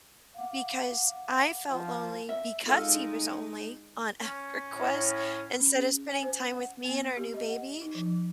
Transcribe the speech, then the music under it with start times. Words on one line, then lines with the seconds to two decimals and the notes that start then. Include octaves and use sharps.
because I felt lonely because he was only on EverQuest instead of spending time with me and our new baby,
0.34 F5 F#5 D6
1.71 F3
2.29 E5
2.65 G#3 D#4 F4 A4 F5
4.21 C#4
4.72 A2
5.60 C#4
5.75 G#4
6.09 G#5
6.23 C5
6.53 F#5
6.85 B3
7.17 G4
7.34 D#5
7.49 F#5
7.82 D#4
7.95 F3